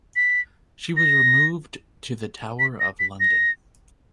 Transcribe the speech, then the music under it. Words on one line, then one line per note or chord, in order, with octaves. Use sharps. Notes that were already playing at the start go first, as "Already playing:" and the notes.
She was removed to the Tower of London.
B6
A#6
B6
A#6
B6
A#6